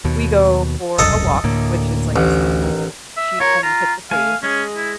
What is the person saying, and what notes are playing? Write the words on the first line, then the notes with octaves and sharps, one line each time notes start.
we go for a walk, which is, like, a simple she can pick the pace,
D#2 B2
E1 C2 F#2 A4 D#5
D2 A2 A#3
A1 D2
E5
F4 A#4 C#5
F4 A#5
A3 F5 G#5
G#3 C#4 G#4
E4